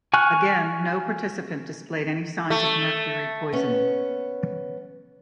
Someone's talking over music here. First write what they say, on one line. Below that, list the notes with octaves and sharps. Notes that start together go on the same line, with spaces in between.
Again, no participant displayed any signs of mercury poisoning.
G#5 C#6 F6 F#6
A3
B3 C#4